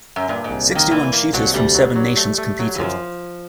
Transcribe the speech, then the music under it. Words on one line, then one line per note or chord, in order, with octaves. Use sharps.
Sixty-one shooters from seven nations competed.
F#2
G2 A#2
G#2
C2
D#3 A#3
A#2 E3
A#3
C2 F#3
D2 G3
F#3
F#3
A3
A3
F#3
E3
F#2 F3